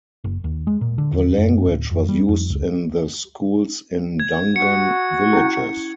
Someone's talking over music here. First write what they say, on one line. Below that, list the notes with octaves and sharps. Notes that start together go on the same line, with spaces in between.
The language was used in the schools in Dungan villages.
F#1
D#2
G#3
A#2
D3
E2
F#2
D1
F2
G3
F2
C#2
G#6
F#4 C#7
C#4 E4